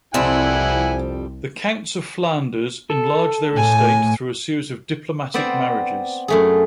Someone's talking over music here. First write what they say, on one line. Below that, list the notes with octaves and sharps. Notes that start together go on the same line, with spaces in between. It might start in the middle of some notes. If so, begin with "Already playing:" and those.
The Counts of Flanders enlarged their estate through a series of diplomatic marriages.
C2 F2 G3 C4 E4 F#5 G#5
A4
A2 G#5
B3 C4 C5 D5
F#2 A3 G#4